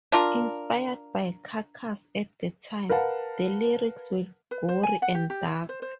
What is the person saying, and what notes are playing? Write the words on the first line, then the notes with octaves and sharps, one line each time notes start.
Inspired by Carcass at the time, the lyrics were gory and dark.
D4 F4 A#4
A#4 B4 F5 F#5 A5
B4
C5
G#5
F#5
G4
G4
E4
C5
C5